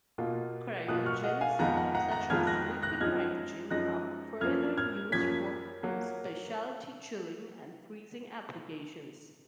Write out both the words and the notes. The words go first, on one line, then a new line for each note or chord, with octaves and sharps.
Cryogens, such as liquid nitrogen, are further used for specialty chilling and freezing applications.
B2 A#3 F4
B2 A#3 F4 D#6 F#6
C#6 F6
D#5 F#5
F5 G#5
F2 D#3 G#3 B3 F4 F#5 A#5
F#5 A#5
F#5 A#5
F#5 A#5
F2 D#3 G#3 B3 F4 F6 G#6
F#6 A#6
F#6 A#6
F#2 F3 G#3 D#4 F6 G#6
F#2 F3 G#3 D#4 F#6 A#6
F#2 F3 A#3 C#4 F6 G#6
F6 G#6
F#2 F3 A#3 C#4 G#6 B6
F#3 A#3